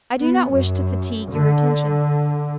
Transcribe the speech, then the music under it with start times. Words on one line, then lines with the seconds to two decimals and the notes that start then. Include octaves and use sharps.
I do not wish to fatigue your attention.
0.19 B3
0.52 F#2
1.32 D3